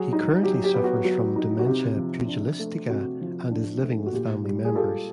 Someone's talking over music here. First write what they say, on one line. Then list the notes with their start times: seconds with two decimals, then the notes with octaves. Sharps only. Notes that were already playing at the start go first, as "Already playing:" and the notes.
He currently suffers from dementia pugilistica, and is living with family members.
Already playing: F#3 F#4 G#4
0.13 D#4
0.43 F#3 G4
0.64 G4
0.74 B3
0.84 F#4
1.04 F#3 F#4
1.36 D#4
1.59 F#4
1.66 C3 G4
1.97 F3
2.28 D4
2.59 A3
2.89 C3 F#4
3.21 F3
3.51 D4
3.83 A3
4.06 F#4
4.13 A#2 G4
4.44 G3
4.65 G#4
4.75 F4 G4 A4